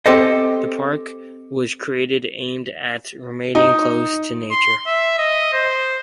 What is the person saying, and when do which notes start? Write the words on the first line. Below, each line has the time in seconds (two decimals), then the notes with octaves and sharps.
The park was created aimed at remaining close to nature.
0.06 C4 G4 A4 C5 D#5
3.55 D#4
4.51 C6
4.87 E5
5.18 D#5
5.53 C5